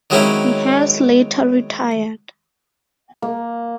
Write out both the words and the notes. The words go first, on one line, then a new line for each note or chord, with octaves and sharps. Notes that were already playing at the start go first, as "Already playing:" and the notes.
He has later retired.
D#3 F#3 G#3 C4 C#4 E4
A#3